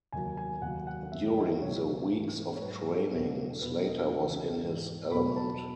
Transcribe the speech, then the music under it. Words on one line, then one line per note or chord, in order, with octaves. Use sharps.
During the weeks of training, Slater was in his element.
D#2 D#3 F#3 G#5
G#5
D#2 D#3 F#3 F#5
F#5
F#2 D#3 F#3 E5
D#5
C#2 B2 F#3 C#5
G#2 E3
C#5
G#2 F#3 B4
E2 B2 F#3
E2 B2 F#3 B4
D#5
C#2 C#3 E3
G#2 E3
E2 B2 F#3 B5
A5